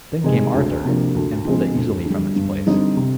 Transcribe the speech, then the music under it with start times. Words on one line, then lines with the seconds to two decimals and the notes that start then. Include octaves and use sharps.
Then came Arthur, and pulled it easily from its place.
0.24 C3 D#3 G#3
0.54 D2
0.85 C3 F3 A#3 D4
1.15 D2
1.45 D3 F3 G#3 C4
1.76 D2
2.06 D3 G3
2.36 G2
2.67 D3 G3 C4 D#4
2.97 C3